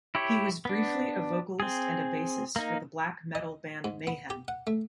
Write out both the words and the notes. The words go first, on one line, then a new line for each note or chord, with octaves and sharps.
He was briefly a vocalist and a bassist for the black metal band Mayhem.
E4 G4 C#5
B3 D4
C4 G#4
A#3 D#4
D#5
G#2
B3
G4
F#5
A3